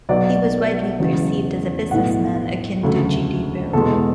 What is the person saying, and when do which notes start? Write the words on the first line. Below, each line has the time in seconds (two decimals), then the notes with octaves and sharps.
He was widely perceived as a businessman akin to G. D. Birla.
0.09 B1 B2 F#3 B3 D5
1.00 E1 E2 C#3 F#3
1.91 B1 A2 E3 B3 F#5
2.82 E1 D2 C#3 F#3 A3
3.73 E1 E2 B2 G#3 A4